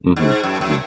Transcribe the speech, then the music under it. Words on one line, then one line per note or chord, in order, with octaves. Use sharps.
Mhm. Mhm.
G#2
F#2
F#2